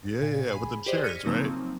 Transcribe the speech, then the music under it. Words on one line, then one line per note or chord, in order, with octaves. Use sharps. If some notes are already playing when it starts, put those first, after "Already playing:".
Yeah, yeah, with them chairs, right?
A#2
G#4 G#5 B5
G4 G#4 C5 D5 D#5
F6 G#6 A#6 B6 C#7 D#7
C#3 F3 F#3 A#3 C4 D#4